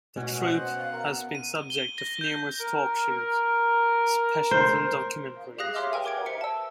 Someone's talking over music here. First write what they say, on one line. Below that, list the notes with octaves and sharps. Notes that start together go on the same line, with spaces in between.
The troupe has been subject of numerous talk shows, specials and documentaries.
B2 C#4 F#4
C5 D#5 F#5
F5
A#4
D#7
G7
A#6
G6
A#4
C5
G4 G#4 F5 D#6 F#6 A#6
C#5 E5 F5 C6 D6 F6
B4 G5 G#5
A#4 D6 G#6 D7
C5 E5 C#7
A5 E6